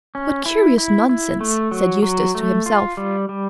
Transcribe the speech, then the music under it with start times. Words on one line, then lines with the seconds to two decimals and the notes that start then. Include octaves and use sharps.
"What curious nonsense!" said Eustace to himself.
0.15 C#4
0.46 E4
0.78 E4
1.09 E4
1.41 A3
1.71 F#3
2.03 F#3
2.35 A3
2.66 F4
2.97 G3
3.29 G3